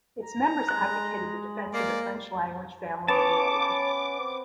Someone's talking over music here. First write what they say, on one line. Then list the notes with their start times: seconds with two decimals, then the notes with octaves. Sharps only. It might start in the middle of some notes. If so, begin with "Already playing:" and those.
Its members advocated the defense of the French language, family, and rural life.
0.23 A#5
0.69 G#3 F#6
1.74 A#3 D5
3.08 B3 C#4 C#5 A5 D6
4.20 C4